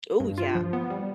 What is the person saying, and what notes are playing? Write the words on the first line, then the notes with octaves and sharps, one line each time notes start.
Ooh, yeah.
G2
F4
F3
B3
G3